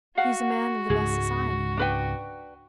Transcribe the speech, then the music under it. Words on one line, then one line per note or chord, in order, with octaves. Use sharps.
He's a man of the best society.
F#4 F5 F#5
C#2 G#2 G#3 G#4
D4 B4 G5